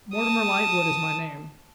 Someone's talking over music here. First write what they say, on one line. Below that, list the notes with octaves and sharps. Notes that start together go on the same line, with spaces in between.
'Mortimer Lightwood is my name.
A5 D#6